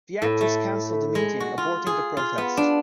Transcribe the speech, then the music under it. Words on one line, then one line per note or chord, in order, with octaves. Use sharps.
The actors cancelled the meeting, aborting the protest.
A2
A3
G#3
F#4
F4
G#4
F4
B3
D4